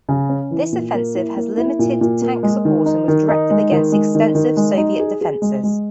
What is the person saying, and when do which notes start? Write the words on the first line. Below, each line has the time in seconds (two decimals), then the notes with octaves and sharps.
This offensive had limited tank support and was directed against extensive Soviet defenses.
0.09 C#3
0.29 C#4
0.51 E3
0.72 A#2
0.94 A#3
1.15 E4
1.37 A#3
1.57 E4
1.79 A#2
2.01 A#2
2.22 A#3
2.43 G#3
2.65 D#3
2.86 D#4
3.08 D#3
3.29 D#4
3.51 G#3
3.72 D#3
3.92 G#3
4.15 D#3
4.35 D#3
4.57 G#3
4.77 D#4
5.00 G#4
5.21 G#4
5.42 G#3
5.63 G#3